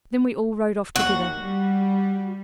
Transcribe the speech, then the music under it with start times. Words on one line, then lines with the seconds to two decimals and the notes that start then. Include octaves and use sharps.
Then we all rode off together.
0.96 D#2 F#4
1.41 G3